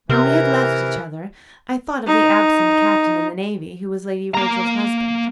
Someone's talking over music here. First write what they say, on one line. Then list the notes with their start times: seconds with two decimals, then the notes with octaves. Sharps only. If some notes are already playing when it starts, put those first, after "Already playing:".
When we had left each other, I thought of the absent Captain in the Navy who was Lady Rachel's husband.
0.09 C3 E3 A#4
2.07 D#4
4.35 A#3 A#5